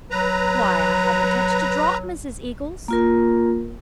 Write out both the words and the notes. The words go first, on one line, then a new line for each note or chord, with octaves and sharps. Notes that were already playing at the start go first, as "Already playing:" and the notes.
'Why, I haven't touched a drop, Mrs. Eagles!'
F#3 B4 A#5
A#3 F4 A#4